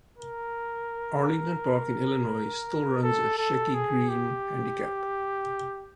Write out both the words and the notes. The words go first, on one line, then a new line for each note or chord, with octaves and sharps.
Arlington Park in Illinois still runs a Shecky Greene Handicap.
A#4
A4
A4
G#4
G4